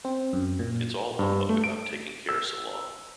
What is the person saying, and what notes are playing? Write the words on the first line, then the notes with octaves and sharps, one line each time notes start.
It's all humbug about taking care so long.
C4
F#2
A#2
G2
A3
D7
E6